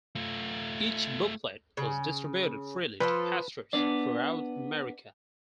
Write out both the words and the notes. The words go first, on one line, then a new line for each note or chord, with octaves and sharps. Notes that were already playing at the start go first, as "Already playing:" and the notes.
Each booklet was distributed freely to pastors throughout America.
A3 F4
C#3
F3 F4 A4 B4
B3 D4 D5